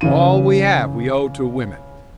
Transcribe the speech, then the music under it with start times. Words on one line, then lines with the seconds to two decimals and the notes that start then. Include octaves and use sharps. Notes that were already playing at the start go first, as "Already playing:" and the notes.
All we have we owe to women.
0.01 C#3 E3 D#7